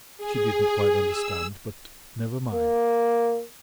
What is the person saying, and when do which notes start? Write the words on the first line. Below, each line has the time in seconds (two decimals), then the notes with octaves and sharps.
She did not quite understand--but never mind.
0.18 G#4
1.06 E6
2.54 A#3